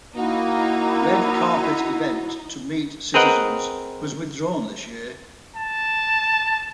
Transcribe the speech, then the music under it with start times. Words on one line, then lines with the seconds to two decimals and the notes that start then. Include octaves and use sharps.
Red carpet event to meet citizens was withdrawn this year.
0.16 A#3 D#4 E4 F#4
3.14 C4 G#4 A#4 B4 D#5 F#5
5.56 A5